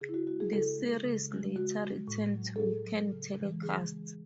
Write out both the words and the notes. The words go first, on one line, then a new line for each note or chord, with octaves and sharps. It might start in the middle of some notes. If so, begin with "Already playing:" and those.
The series later returned to weekend telecasts.
C#3 G#4
E4
F#4
G#3 F#4
G#4
C#3 A4
G#3
C#3
G#3
C#3 F#4
G#3
A2
F#3
A4
A2 G#4
F#3
C#3
E3 G#3
C#3 G#4
E3 G#3